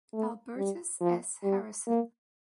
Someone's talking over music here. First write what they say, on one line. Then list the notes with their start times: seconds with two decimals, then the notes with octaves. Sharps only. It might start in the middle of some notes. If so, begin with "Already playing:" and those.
Albertis S. Harrison.
0.13 A3
0.57 G3
1.01 F3
1.43 G3
1.87 A#3